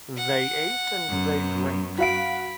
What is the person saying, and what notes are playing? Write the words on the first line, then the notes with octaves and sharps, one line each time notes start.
They ate and they drank.
F#5
F#2 B3
F#4 F5 B5 D7